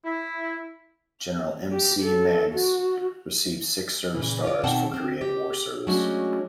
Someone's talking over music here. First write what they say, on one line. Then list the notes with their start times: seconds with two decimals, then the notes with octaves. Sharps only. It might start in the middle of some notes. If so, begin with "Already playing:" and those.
"General M. C. Meigs" received six service stars for Korean War service.
0.05 E4
1.72 G4
2.02 A4
2.54 F#4
4.15 A#2 C#3 E3
4.44 F4 D5
4.63 B2 D#3 C4 F#5 G5 A5
4.94 C4
5.21 G4
5.87 F#3 G#3 A3 C#4 D4 F#4